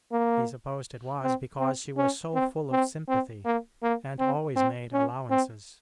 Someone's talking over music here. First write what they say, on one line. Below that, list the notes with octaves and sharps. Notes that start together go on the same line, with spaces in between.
He supposed it was because she was so full of sympathy, and always made allowances.
A#3
C4
C4
C#4
C4
C4
C4
A#3
A#3
C4
C4
C#4
C4